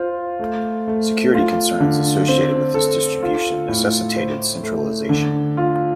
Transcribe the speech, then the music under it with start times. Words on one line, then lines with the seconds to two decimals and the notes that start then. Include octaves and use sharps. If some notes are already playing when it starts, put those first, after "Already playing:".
Security concerns associated with this distribution necessitated centralization.
Already playing: F4 C5
0.39 A3
0.88 A3
1.35 F4
1.80 D3
2.28 C4
2.74 A4
3.22 F4
3.68 A2
4.16 C5
4.63 A3
5.09 D3
5.57 F4